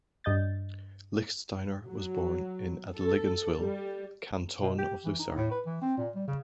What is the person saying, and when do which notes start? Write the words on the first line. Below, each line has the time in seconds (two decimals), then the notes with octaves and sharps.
Lichtsteiner was born in Adligenswil, Canton of Lucerne.
0.24 G2 D#5 G6 A6
1.85 F#3
2.97 A4
3.61 G3
4.61 B2
4.78 G4
5.05 E3
5.19 D#4
5.35 A2
5.51 B4
5.66 E3
5.82 C4
5.97 A#2
6.15 G3
6.27 C#3